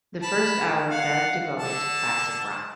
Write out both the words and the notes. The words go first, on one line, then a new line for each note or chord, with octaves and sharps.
The first hour, Bev devoted to classic rock.
A5 B5
F5 F#5
D3 A5